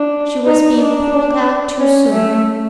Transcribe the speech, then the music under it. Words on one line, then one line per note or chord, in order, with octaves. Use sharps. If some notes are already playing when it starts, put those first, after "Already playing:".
She was being pulled out too soon.
Already playing: D4
D#4
D4
C#4
A3